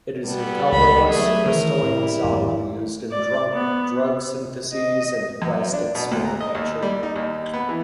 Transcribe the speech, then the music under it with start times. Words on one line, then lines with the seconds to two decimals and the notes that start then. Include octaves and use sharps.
It is a colorless crystalline solid used in drug syntheses and plastics manufacture.
0.24 G3 B3 A4
0.72 C#2 B5
1.08 F#3 A3 G#4
1.46 D#3 E3 A#4
1.83 A2 G3 E4
2.24 G#1 F2
3.11 D5
3.53 B3
4.73 D#5
5.42 F#2
5.74 D4
5.95 B2
6.12 D2
6.25 A#5
6.41 D#5
6.55 D#2
6.82 G3
7.03 D#4
7.16 D#2
7.54 B3
7.69 E3